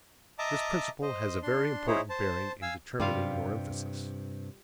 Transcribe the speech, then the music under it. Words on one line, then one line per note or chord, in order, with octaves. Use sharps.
This principle has a very important bearing in determining your emphasis.
D#5 E5 A5 A#5 D6
C5 D#5
D4 C6
D#4 E4 G#4 C5 C#5
C5 A5
F5 G#5 E6
G2 C3 G3 F4 F5